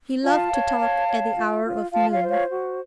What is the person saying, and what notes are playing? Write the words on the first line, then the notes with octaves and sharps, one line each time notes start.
He loved to talk at the hour of noon.
F4 F5 A5
C#5
C#5
C#5
F4
F4
F4 F5 A5
C#5 F5
C5
C#5 F5
F#4